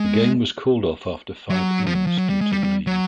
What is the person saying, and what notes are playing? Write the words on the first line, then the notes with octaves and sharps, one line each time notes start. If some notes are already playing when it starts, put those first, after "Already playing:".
The game was called off after five innings due to rain.
Already playing: G#3
F#3
F3
F#3
F3
F#3
G3
G#3
G3
G3
F#3